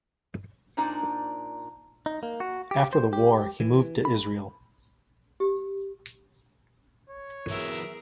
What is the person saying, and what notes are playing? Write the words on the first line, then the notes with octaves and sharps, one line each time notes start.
After the war he moved to Israel.
A#2 D4 D#4 C5 D5
D#4
A#3
F#4
G4
C5
G4
E3
B5
G4
C#5
E3 F#3 B3 G#4 A#4 E5